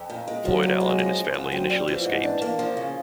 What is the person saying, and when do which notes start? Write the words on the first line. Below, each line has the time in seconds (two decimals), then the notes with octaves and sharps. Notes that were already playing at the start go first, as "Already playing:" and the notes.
Floyd Allen and his family initially escaped.
Already playing: F2
0.10 A#2
0.28 G#3
0.45 F3 F#3
0.63 A#2
0.80 G#3
0.99 F3
1.16 C#3
1.34 F#2
1.52 F#3 C4
1.70 G3
1.88 E3 F3
2.06 G#2
2.23 E3 D4
2.42 A#3
2.59 F3
2.77 C#3